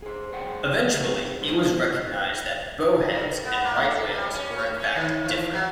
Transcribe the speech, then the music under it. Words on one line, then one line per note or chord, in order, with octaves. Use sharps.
Eventually, it was recognized that bowheads and right whales were in fact different.
G#4 C5
G#4 C5 F#5 G5
G3 D#4 G#4 C5
D3
B3
A#3
A4
G3
C#4
C#5
C#4
D#3
E3
F#3